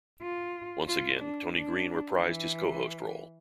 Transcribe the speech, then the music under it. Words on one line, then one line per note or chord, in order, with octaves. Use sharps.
Once again, Tony Green reprised his co-host role.
F4
F4
D4
D4
E3